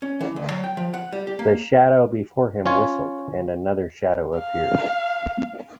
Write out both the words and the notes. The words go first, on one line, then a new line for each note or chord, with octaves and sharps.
The shadow before him whistled and another shadow appeared.
C#4
E3
D2
F#3
G5
F3
F#5
G3
G4
A#3
C#4 F4 C#5
F5